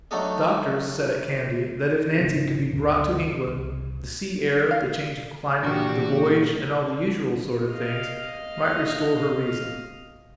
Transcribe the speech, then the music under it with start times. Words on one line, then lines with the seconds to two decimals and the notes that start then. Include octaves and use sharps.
The doctors said, at Kandy, that if Nancy could be brought to England, the sea air, the change of climate, the voyage, and all the usual sort of things, might restore her reason.
0.11 F#3 A3 D4 D#4 A4 D#5
2.18 G#1 C#3 C4 D4
2.71 D1 G1 D3
3.47 C2
4.71 F5
5.63 A#2 E3 D4 F#4 G4
7.72 D#5 F5